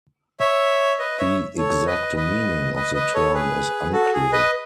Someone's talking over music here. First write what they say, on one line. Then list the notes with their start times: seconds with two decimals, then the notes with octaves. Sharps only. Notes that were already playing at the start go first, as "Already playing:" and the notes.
The exact meaning of the term is unclear.
0.40 C#5 E5
0.99 B4 D#5
1.18 C#5 E5
1.58 A4 C#5
1.87 B4 D#5
2.16 B4 D#5
2.76 B4 D#5
2.94 B4 D#5
3.14 A4 C#5
3.34 G#4 B4
3.93 F#4 A4
4.13 G#4
4.32 B4 D#5